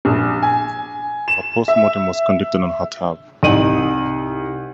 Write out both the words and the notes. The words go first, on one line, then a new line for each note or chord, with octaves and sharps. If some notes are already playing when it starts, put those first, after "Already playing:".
A post-mortem was conducted on Hatab.
A#1
G#5
E7
E5
C2 D#4 D#7 F#7